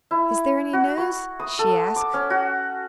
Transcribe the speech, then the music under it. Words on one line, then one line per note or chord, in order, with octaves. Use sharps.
"Is there any news?" she asked.
E4
F#4
C#6
D#6
A4
D6
C#4
F#4